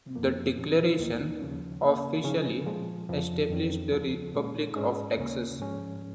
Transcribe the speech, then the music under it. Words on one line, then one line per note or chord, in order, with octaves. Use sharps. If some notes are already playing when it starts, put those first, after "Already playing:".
The declaration officially established the Republic of Texas.
F2 F3 A#3
A#2 F3 C#4
D#2 D#3 A#3 D#4
D#2 C#3 F3 C#4
C#3 A#3 C#4
C#3 F3 C#4
A#2 F3 G#3
F2 C#3 F3
F2 D#3 C#4
D#2 C#3 F3
A#2 G#3 C#4
G#2 G#3 C#4
D#2 C#3 A#3 C#4
G#2 F3 G#3 C#4